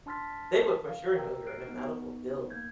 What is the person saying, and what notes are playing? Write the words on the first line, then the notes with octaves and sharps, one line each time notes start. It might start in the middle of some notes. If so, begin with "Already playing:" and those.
They would, for sure, know you're in a medical field.
D4 A5 C6 F6 A6 B6
F5
A#4 G5 A#5 E6
F6 F#6 C7 D7
B3 D#4
A#3 G6 G#6